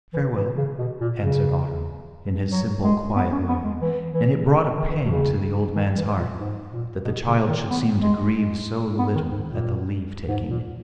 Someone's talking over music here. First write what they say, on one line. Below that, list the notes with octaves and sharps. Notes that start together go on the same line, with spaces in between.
"Farewell," answered Otto, in his simple, quiet way, and it brought a pang to the old man's heart that the child should seem to grieve so little at the leave-taking.
E3
E3
C#3
B2
A#2
C#3
F#3
G#3
B3
C#4
B3
G#3
E3
E3
C#3
D#3
E3
B2
C#3
D#3
E3
A#2
G#2
A#2
B2
C#3
D#3
B3
G#3
G#3
B3
D#3
G#2
A#2
G#2
A#2